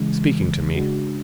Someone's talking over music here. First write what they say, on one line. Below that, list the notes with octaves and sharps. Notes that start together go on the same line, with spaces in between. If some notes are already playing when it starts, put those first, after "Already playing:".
Speaking to me.
Already playing: C#3 E3 G#3
C#3 G#3 D4 F#4